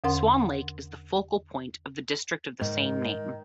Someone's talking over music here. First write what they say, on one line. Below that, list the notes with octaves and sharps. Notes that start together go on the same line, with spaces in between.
Swan Lake is the focal point of the district of the same name.
E2 D3 C#4 A#4 F#5 C6
G#2 D#3